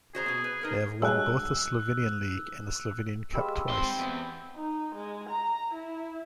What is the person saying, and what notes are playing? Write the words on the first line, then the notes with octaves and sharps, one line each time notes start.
They have won both the Slovenian League and the Slovenian Cup twice.
F#4 G#4 C5 A#5
B2 B3
B4
D#4 A#4 B4
G2 F#3 G#3 E6 F#6
G#3 F4 G4 B4 D5 E6
G#2 C4 C6
E2 F#5 D6
D#4
G#3
A#5
E4